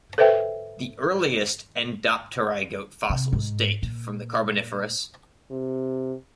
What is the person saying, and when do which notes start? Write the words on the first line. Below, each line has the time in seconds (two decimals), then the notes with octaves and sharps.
The earliest endopterygote fossils date from the Carboniferous.
0.18 A4 B4 C5 E5 G5
3.10 C3
3.33 G#2
3.82 A#2
5.51 C3